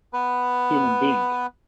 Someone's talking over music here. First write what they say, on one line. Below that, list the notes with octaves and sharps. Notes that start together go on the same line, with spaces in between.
human being.
B3 B4